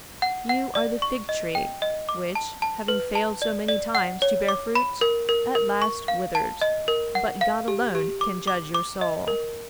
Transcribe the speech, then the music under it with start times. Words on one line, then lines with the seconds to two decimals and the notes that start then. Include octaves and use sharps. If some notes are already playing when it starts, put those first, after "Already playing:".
You are the fig tree which, having failed so many times to bear fruit, at last withered, but God alone can judge your soul.
0.22 F#5
0.49 F#5
0.75 D5
1.02 C#6
1.29 D#5
1.55 G5
1.82 D#5
2.09 D6
2.35 A5
2.62 A5
2.88 B4
3.15 A5
3.42 D5
3.68 D5
3.95 F#5
4.22 C#5
4.48 D6
4.75 B5
5.01 A#4
5.29 A#4
5.55 A#4
5.82 C#6
6.08 F5
6.35 A5
6.62 D#5
6.88 A#4
7.15 F#5
7.41 F5
7.68 G4
7.95 G4
8.21 D6
8.47 D6
8.75 D6
9.01 D#5
9.28 A#4